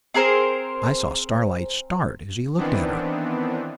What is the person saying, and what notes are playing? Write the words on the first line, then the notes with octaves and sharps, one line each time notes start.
I saw Starlight start as he looked at her.
C4 G#4 A#4 C5
D#3 E3 B3 C4 D4